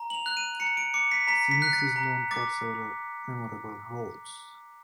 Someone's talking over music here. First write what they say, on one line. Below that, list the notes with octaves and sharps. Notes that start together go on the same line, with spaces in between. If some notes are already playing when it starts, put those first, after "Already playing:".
Sinise is known for several memorable roles.
Already playing: A#5
F#7
F7
F#6
D#7
A#5 C#7
D7
D6 C#7
B6
A#5 B6
B6
F#6
A6
A#5
D6 A6